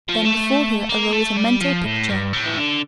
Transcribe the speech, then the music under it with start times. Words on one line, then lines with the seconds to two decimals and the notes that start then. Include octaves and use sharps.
Then before her arose a mental picture.
0.09 F3
0.25 A3
0.89 A#3
1.13 A3
1.37 G3
1.61 F3
1.85 A2
2.09 G2
2.33 A2
2.46 E3
2.57 D3